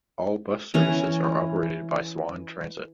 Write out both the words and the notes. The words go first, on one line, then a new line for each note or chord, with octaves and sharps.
All bus services are operated by Swan Transit.
E3 C#4 A#5